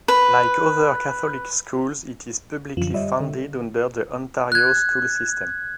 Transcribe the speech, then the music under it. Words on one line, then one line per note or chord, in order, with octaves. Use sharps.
Like other Catholic schools, it is publicly funded under the Ontario school system.
B4
F#2 D3 F3
G3 C#5 D#5 E5
D3
F#6 G#6